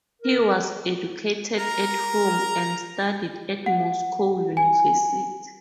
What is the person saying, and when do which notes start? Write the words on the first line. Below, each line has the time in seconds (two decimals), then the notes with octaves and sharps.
He was educated at home, and studied at Moscow University.
0.22 A#4
1.58 A#4 A#5
3.66 F#5
4.57 G#5